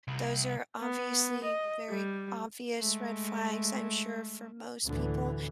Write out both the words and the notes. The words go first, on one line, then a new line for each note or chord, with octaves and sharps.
those are obviously very obvious red flags, I'm sure, for most people.
C2
B3
D#5
G3
G#3 A3
D2 A2 D3 E3